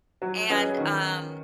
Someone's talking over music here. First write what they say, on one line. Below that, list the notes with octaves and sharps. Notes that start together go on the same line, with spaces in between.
and um
F#3
C#4 G#4 B4 D#5
D#3